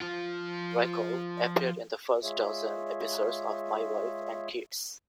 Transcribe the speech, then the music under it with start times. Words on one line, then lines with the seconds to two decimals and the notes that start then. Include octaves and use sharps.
Raycole appeared in the first dozen episodes of "My Wife and Kids".
0.01 F3 F4
2.23 G#3 F4 G#4 C#5 E5